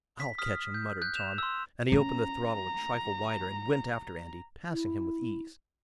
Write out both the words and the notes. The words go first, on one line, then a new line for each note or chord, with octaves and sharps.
"I'll catch him!" muttered Tom, and he opened the throttle a trifle wider, and went after Andy, passing him with ease.
B6
D#6 F6 B6
G6
F#6 G6
E7 F7
C6 E6
C#4 A#5
E4